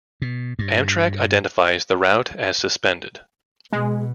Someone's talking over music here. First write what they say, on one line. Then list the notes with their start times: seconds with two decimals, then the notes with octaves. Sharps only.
Amtrak identifies the route as suspended.
0.22 B2
0.59 G2
3.72 B2 G#3